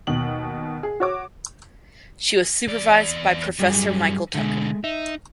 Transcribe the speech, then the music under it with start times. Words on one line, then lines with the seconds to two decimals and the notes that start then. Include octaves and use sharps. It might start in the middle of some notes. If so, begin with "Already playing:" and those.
She was supervised by Professor Michael Tucker.
0.07 D#2 B2 F#7
0.83 G#4
1.00 F#4 C#5 D6
2.67 E2 D5
3.59 G2 F#3 G3 G#4
4.35 B2 D3 G#3 A3
4.84 D#4 E5